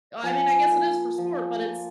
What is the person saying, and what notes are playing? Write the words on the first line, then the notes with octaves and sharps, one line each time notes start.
I mean, I guess it is for sport, but it's
F3 G#5
A#3 F4
F3
A#3 F4